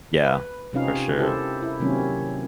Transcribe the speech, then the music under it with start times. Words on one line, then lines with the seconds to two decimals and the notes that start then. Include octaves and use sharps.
Yeah, for sure.
0.23 B4
0.73 C3 C4 C#4 D#4 F4 F5
1.18 E4 G4 A4 A#4 C5
1.62 E4
1.80 C3 D#3 F#3 A#3 C4 C#4